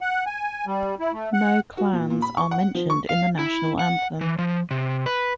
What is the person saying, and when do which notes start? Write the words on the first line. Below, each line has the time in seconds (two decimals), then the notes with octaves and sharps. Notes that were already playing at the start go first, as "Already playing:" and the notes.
No clans are mentioned in the national anthem.
0.01 F#5
0.26 G#5
0.67 G3
1.00 E4
1.13 A3
1.33 F#5
1.77 F#4
1.93 A#2
2.10 A#2
2.22 B5
2.37 C#6
2.51 F#5
2.75 F3
2.90 C#6
3.09 F5
3.39 E4
3.79 F#5
4.21 E3
4.39 F3
4.71 C3
5.06 B4